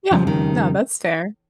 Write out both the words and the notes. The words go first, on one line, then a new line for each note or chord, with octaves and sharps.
yeah, no, that's fair.
F2 C#3 F3 G3
D#3